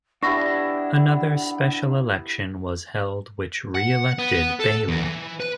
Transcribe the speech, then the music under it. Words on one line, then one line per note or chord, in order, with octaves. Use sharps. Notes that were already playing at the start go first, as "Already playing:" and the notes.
Another special election was held which re-elected Bailey.
B3 D4 E4 G4 F#5 C#6 A#6
F#5
B3
A4
E2
E3
B4